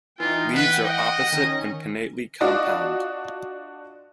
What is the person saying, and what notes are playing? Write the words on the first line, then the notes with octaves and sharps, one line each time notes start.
Leaves are opposite and pinnately compound.
E3 D#4 F4 G5
B4 F#5 G5
D#5
D#3 C#4
D4 F4 F#4 D5 D#5